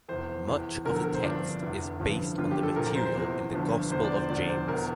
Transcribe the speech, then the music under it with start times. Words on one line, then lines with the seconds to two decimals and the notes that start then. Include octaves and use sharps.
Much of the text is based on material in the Gospel of James.
0.08 F1 E2 E3 C5
0.47 E2 E3
0.85 E1 E2 D3 F3 A#4
0.95 A4
1.04 A#4
1.14 C5
1.23 A1 G2 D3 F3 D4
1.62 F1 E2 E3
2.00 A1 G2 D3 F3
2.38 G1 G2 D3 F3 F4
2.51 G4
2.63 A4
2.76 C2 A#2 F3 A#4
2.87 A#4
2.95 C5
3.06 C5
3.15 E2 C3 E3
3.53 G1 G2 D3 F3
3.91 E1 E2 D3 F3 C5
4.04 D5
4.17 C5
4.29 E1 E2 D3 F3 D5
4.49 C5
4.68 E1 E2 E3 A#4